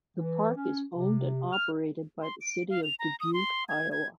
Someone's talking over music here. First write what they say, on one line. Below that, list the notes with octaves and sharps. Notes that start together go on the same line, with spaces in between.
The park is owned and operated by the city of Dubuque, Iowa.
E3
C#4
C3
F6
C6
D7
F5
F7
A#5
D#6
C6
G#6
G#6